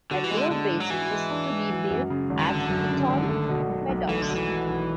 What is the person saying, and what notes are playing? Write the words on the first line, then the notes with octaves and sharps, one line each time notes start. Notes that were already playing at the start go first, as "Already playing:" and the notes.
A new bridge is to be built at Ditton Meadows.
D3 F#4
E3
G#3
D3
D3 D4
G#2
F#3
E3 F#4
G#3
D4
G#2
F#3
F#2
C#3
G#1
E3
D3 F#3
F#2
C#3
G#1
A3
B2
F#3
B1
E3 A3
D3
B2
E3
F#3
B1